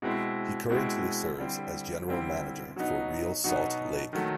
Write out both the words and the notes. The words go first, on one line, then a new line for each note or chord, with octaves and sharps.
He currently serves as General Manager for Real Salt Lake.
B2 G#3 C4 E4
B2 G#3 C4 E4
D3 G3 C4 E4
D3 G3 C4 E4
B2 F#3 B3 D#4
B2 F#3 B3 D#4
D#3 F#3 A3